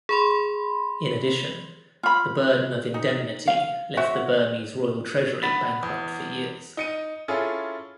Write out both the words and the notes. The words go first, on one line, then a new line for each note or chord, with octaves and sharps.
In addition, the burden of indemnity left the Burmese royal treasury bankrupt for years.
G#4 B5 C6
F4 B5
D#4
F5
F#4 C5 E5
B3 B5 A6 B6
E2
D#4 C#7 D#7
C#4 E4 F4 G#4 A4